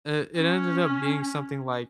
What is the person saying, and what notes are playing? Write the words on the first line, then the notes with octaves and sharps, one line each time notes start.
uh, it ended up being something, like,
C#4